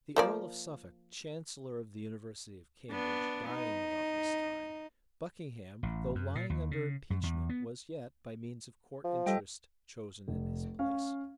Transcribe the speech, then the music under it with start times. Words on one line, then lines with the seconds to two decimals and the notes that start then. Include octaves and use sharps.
The earl of Suffolk, chancellor of the university of Cambridge, dying about this time, Buckingham, though lying under impeachment was yet, by means of court interest, chosen in his place.
0.16 F3 A#3 D5
2.92 B3 D4
3.51 D#4
5.83 A1
6.15 F#2
6.35 A#2
6.50 D#2
6.71 C#3
7.10 F#2
7.23 E2
7.49 B3
9.04 F3
9.26 G3 A4 D#5 G5
10.28 F1
10.79 C#4 F5